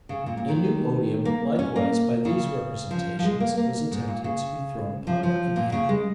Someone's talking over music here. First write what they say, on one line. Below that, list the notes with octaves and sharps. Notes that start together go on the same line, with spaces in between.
A new odium, likewise, by these representations, was attempted to be thrown upon Buckingham.
C#3
A#2
A#2
D#3
A#3
C#4
A#3
C#3
F3
F3
G#3
A#3
A#3
G#2
A#2
C#3
F3
F3
A#2
C#3
G#3